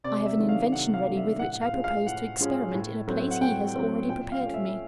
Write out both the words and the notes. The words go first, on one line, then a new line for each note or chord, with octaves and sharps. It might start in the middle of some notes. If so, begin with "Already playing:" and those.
I have an invention ready with which I propose to experiment in a place he has already prepared for me.
C3 D5
E5
D#3 F#3 A3 D4
F5
C3 F#5
F5
D#3 F#3 A3 D4
E5
A2 F#5
F#5
F5
F3 G#3 C#4
F5
A2 F#5
F3 G#3 C#4
A2
F#3 A3 C4
F#5
A2 G5
F#3 A3 C4
A#2 G5
F5
F3 A3 C#4
E5